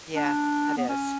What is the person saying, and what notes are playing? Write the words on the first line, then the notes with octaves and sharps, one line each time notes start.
Yeah, that is.
D4
B3
C#4